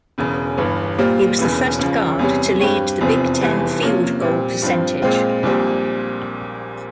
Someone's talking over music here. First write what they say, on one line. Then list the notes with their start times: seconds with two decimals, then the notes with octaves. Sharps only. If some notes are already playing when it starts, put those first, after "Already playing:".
He was the first guard to lead the Big Ten field goal percentage.
0.18 E1 E2 C#3
0.58 G1 G2 E3
0.98 A#2 G3 A#3 F4 C5
1.39 E1 E2 C#3 E3
1.79 C#2 C#3 F3
2.19 E2 C3 G3 C#4
2.59 G2 G3 C4 G4 C#5
3.01 F1 E2 C3 F3 C4
3.41 F1 E2 E3 G3
3.81 C3 F3 A#3 C#4
4.21 A#2 G3 C4
4.62 G2 F3 C4
5.02 A#2 G#3 C4 F4
5.43 A#1 A#2 G3 C4